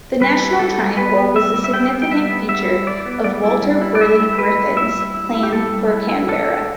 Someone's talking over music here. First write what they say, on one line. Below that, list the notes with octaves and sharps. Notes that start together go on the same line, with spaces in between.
The National Triangle was a significant feature of Walter Burley Griffin's Plan for Canberra.
G3 B4
E4
G3 A4
G3
B3 B4
B3
G3 E5
G3
E5
B3 G5
B3
G5
G3 E5
B3
G3 E5
E4
E4 D5
B3
G3 D5
E4
G3
E4
D5
E4 E5
G3
E4 B4
G3
E4 E5
G3
E4
E4
G4
G3 A4
G3
E4
E4
D4 A4
D4